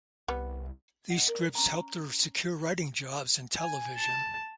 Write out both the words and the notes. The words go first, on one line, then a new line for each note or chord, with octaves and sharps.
These scripts helped her secure writing jobs in television.
C2 G3 B3
D#5 F#5
A#4 D5
C#4 A#5
G#5
A5